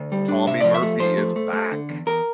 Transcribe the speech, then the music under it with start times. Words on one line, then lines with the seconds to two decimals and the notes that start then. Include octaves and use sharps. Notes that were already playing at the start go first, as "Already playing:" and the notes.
Tommy Murphy is back.
Already playing: D2
0.12 G3
0.28 D4
0.46 C3 E5
0.61 F3 D5
0.74 E5
0.82 A3
1.00 F3 C5
1.17 A3
1.36 A3
1.53 A3
1.72 D3
1.89 E2
2.06 E2 A#4